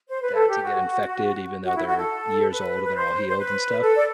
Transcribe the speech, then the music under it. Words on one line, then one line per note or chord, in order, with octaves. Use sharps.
that to get infected even though they're years old and they're all healed and stuff,
C5
B4
A4
G4
F#4
F#4
E4
F#4
A4
B4
B4
C5
C5
B4
A4
D5